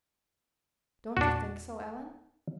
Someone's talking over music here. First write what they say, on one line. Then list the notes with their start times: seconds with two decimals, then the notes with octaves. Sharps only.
"Don't you think so, Ellen?"
1.17 E2 A#2 D4 F#4